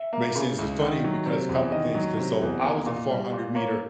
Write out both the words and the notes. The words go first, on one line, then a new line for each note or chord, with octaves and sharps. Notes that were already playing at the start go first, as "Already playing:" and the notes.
Makes sense. It's funny because- a couple things- 'cause so I was a four-hundred-meter
Already playing: E5
A#3
C#3
C#2
D#3
F#3
C3
E2
D#3 D#5
F#3
C3
E2
A#3
A#2
G3
A#2
A#3 C#5